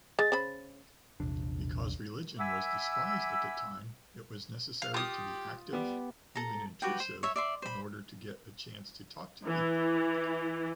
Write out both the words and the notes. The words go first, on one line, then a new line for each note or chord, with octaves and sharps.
Because religion was despised at the time, it was necessary to be active, even intrusive, in order to get a chance to talk to people.
G#3 A6
C#3 C5 B5
A#1 E2 C3 D4
E5 F#5 G#5 B5 D6 E6
F5
F4 G4 D#6
G3 B3 G4
A4 A#5
F#4 G4 B4 G5
C5
C#5 E5
D5 E5 C6
C5 B5
E3